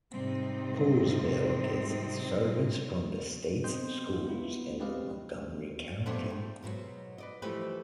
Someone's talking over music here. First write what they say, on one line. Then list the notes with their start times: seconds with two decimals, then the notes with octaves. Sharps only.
Poolesville gets its servants from the States Schools in the Montgomery County.
0.13 G#2 C3 G3 C4 D#4
3.64 B3 C4 D#5 C6 G6
4.27 B3 E4 F4
4.79 G#3 C4 G4 B4 D#5 F5
6.06 G2 A#2 F3 A3 B3 D4
6.30 G#2
6.63 G#2 B2 D3 F#3
7.18 B4 D5 D#5
7.42 E3 F3 G3 A3 G4 B4